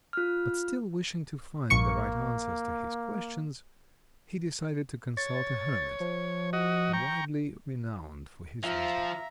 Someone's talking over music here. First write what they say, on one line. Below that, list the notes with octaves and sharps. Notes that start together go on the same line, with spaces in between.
But still wishing to find the right answers to his questions, he decided to consult a hermit, widely renowned for his wisdom.
F4 F6
A#1 A#3 C#6 C#7
C#5 A6
F3
F#4 D#5
G5 A#5 C#6
F3 F4 E5 F5 A#5